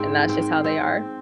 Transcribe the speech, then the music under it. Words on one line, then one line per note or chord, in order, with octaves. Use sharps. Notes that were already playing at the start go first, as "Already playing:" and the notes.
and that's just how they are.
Already playing: G#2 C4
C4
C4